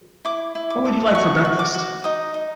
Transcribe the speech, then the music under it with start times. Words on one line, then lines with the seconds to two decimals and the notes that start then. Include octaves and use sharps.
What would you like for breakfast?
0.25 E4 D6
0.55 E4
0.70 D6
0.85 A4
1.15 F#4 C#6
1.45 F#4
1.59 D6
1.74 F#4
2.04 D#4 D#6
2.34 D#4